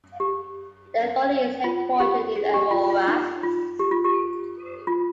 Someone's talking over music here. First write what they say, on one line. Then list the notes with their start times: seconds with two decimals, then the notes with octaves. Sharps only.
The authority is headquartered in Aurora.
0.20 G4
1.64 F4
2.00 G4
2.36 G#4
2.54 G4
2.71 F4
2.90 F4
3.08 D#4
3.43 F4
3.79 G4
3.91 F4
4.05 G4
4.87 F4